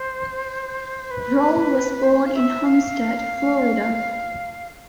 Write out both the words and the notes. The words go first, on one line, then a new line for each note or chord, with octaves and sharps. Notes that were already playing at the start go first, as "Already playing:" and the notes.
Rolle was born in Homestead, Florida.
Already playing: C5
B4
C5
F5
E5
F5